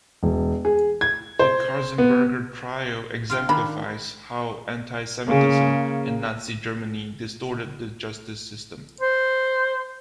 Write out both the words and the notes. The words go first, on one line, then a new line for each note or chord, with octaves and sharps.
The Katzenberger trial exemplifies how anti-Semitism in Nazi Germany distorted the justice system.
E1
G#4
G#6
C5
B3
F4 F5 G5
D#3 D4 B5
C#3 A#3 G#4
C5